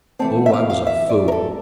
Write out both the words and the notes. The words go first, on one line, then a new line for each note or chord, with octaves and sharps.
Oh, I was a fool!
E3 A3 C4 A5
E5
F5
F5
E5
D5
A#4
A4